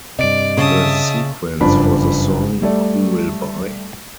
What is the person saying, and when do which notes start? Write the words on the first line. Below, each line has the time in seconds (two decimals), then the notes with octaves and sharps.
The sequence for the song Who Will Buy?
0.19 G2 C3 D5 D#5 D7
0.57 C#3 E5 A5 D#6
1.60 F#1 G2 F3 D4 B5
2.62 G3 A3 D5